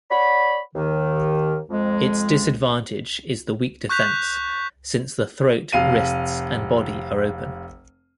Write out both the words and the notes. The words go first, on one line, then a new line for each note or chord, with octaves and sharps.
Its disadvantage is the weak defense, since the throat, wrists and body are open.
C#5 D5 F#5 B5
D#2 D#3
F2 G#3
C#6 F#6 G6 B6 F7
F1 F5 D#7